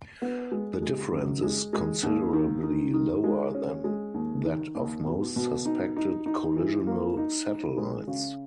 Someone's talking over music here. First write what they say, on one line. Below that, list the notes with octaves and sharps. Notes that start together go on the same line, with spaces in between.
The difference is considerably lower than that of most suspected collisional satellites.
B3
G#3
G#3
F#2
G#3
G#3
D#2
D#3
D#3
D#3
G#3
C#4
G#3
D#2
D#3
D#2
B2
B2
D#4
D#4
D#4
E3
A#3
D#4
D#4
G#3
C#3